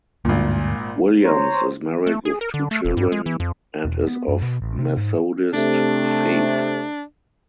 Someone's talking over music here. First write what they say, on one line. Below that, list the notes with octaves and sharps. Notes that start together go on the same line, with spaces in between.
Williams is married with two children and is of Methodist faith.
G#1 D2 G2 A#2 D3
C5 C#5 A#5
A3
G#4
A#4
D3
A3
E1
G2
G#3
E3
F2
E1
B3
F#2
B2
A1
C3
G#2
C3 A3 D4